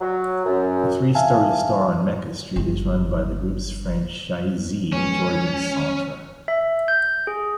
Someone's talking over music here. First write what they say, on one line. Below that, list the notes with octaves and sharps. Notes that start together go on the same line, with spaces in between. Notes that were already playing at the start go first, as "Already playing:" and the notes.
The three-storey store on Mecca Street is run by the group's franchisee Jordan Centre.
F#3
F#2
E3 E5 F5 G#5 A5
G1
F3 G#3 B3 C#4
E5
G6
G#4